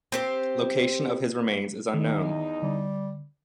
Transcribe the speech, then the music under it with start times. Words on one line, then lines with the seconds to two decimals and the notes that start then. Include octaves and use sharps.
Location of his remains is unknown.
0.12 C4 G4 C5
1.94 E2 D#3 D#4
2.62 D3 G3